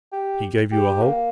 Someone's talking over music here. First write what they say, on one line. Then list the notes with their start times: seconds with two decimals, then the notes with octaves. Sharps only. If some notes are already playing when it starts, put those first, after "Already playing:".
"He gave you a hope?"
0.12 G4
0.72 G4
1.03 A#3